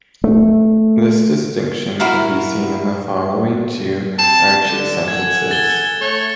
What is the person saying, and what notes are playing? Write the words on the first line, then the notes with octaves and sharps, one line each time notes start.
This distinction can be seen in the following two Archi sentences.
A3
E4 F#4 A#4 F5
C4 A5 E7
D3
A4 F#5 G#5 G#6
A6 G7
A3 C#5